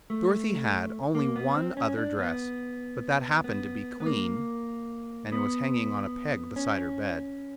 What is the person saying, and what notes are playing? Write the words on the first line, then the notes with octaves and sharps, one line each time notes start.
Dorothy had only one other dress, but that happened to be clean and was hanging on a peg beside her bed.
A3
A#3
B3
C4
C#4
D4
B3
B3
B3
A#3
B3
C#4